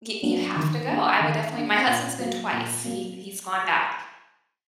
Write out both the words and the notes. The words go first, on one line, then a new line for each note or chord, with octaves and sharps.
Y you have to go, I would definitely my husband's been twice, he he's gone back.
F#3 A#3 D4
D#3
A#3 D4
D#3
A#3 D4
A#2
F#3 A#3
A#2
F#3 A#3